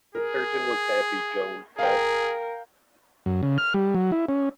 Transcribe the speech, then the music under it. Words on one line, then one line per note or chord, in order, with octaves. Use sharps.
"The surgeon was happy," Jones said.
G#4 A#4
G#4 A#4 F5 G5
F#2
C#3
F6
G3
F#3
E4
C#4